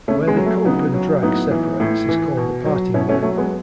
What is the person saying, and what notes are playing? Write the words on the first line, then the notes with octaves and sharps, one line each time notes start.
Where the cope and drag separates is called the parting line.
C#3 A3 C#4
G#3 B3
F#3
A3
C#3 B3 D#4
F#3
A2 B3 D#4
E3
A2
E3
B2
F#3
B2 C#4 E4
A3 C#4
F#3 A3
G#3 B3